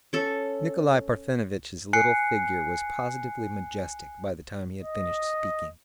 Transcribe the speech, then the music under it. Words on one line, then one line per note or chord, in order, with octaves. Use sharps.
Nikolay Parfenovitch's little figure was positively majestic by the time he had finished speaking.
C#4 A4
G#5 F#6 C7 C#7
D#5